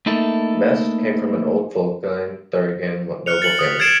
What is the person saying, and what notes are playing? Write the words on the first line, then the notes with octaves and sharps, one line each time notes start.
Metzsch came from an old Vogtland-Thuringian noble family.
A3 A#3 D#4 E4 A4
F6 F#6 C#7 F7
A6 C#7 F#7
D#6 B6
F#6 G#6 A6 C7 D7 E7